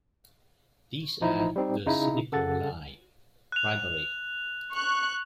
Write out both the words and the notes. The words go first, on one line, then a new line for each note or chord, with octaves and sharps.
These are the cynical lie, bribery.
A1 F3 D#4 E4
G3 C4 D#4
C#3 D#4 E4
C#3 A4 F#5 A6
F#6 F7
C#6 F#6